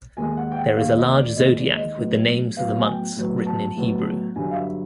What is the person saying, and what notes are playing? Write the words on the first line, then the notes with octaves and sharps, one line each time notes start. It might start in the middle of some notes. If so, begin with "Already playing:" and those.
There is a large Zodiac with the names of the months written in Hebrew.
D#2 D#3 G#3 G#5
F#5
G5
F#5
D#2 D#3 G#3 F5
D#5
D5
D#2 D#3 G#3 D#5
D5
D#5
A2 F#3 B3
A2 F#3 B3 F5
G#5
G5
A2 F#3 B3
A5
A2 F#3 B3
G2 D3 F#3 G#5
F5
E5